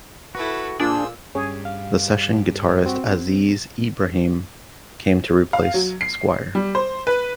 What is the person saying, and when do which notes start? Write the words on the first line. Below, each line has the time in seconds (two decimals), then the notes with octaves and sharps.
The session guitarist Aziz Ibrahim came to replace Squire.
0.35 E4 F#4 A4 B4
0.80 A#2 D4 G#4 C5 E6
1.35 G2 C#4 G#4 C#5
1.65 F5
2.86 C4 F#4
5.53 F5
5.74 F#3
6.01 C7
6.55 G3
6.75 C5
7.07 B4